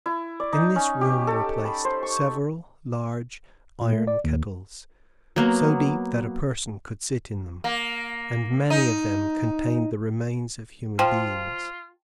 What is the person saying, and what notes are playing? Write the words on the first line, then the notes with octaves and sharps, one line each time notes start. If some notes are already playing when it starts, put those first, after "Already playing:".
In this room were placed several large iron kettles, so deep that a person could sit in them, and many of them contained the remains of human beings.
E4
D5
D#4
C#4
G4
A4
B5
C5
C#6
A#2
A3
D5
D#2
F#3 A#3 B3
A#3
D#4
F3 F4 G5